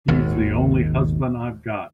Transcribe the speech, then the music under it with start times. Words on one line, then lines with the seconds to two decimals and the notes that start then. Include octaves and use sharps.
He's the only husband I've got.
0.08 G#1 D#2